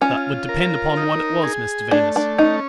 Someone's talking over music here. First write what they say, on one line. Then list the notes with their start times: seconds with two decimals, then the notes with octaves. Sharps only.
'That would depend upon what it was, Mr Venus.
0.01 C#4 F4
0.49 A#4
0.97 D#4
1.43 G#4
1.91 A3 D4
2.16 D4
2.38 C#4 D#4